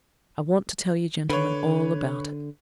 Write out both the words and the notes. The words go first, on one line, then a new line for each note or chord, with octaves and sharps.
"I want to tell you gentlemen all about it."
D3 B4 C#5